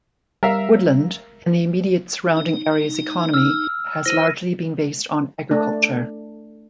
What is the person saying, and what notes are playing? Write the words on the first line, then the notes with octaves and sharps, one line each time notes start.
Woodland and the immediate surrounding area's economy has largely been based on agriculture.
G3 A#4 E5 F5
D#4
E6 F6
E4 C5 A#6 D#7
A3 D4